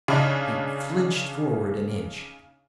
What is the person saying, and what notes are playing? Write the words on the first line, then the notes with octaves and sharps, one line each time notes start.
He flinched forward, an inch.
C#3 D4 D#4